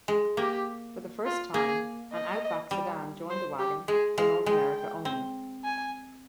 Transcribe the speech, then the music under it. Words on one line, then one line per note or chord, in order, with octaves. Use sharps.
For the first time, an Outback sedan joined the wagon for North America only.
G#3
A#3 G4
F4
A#3 G#4
D#5
G3
C5
G4
G#3 G#4
G#3 F5
G#3 G5
C4
G#5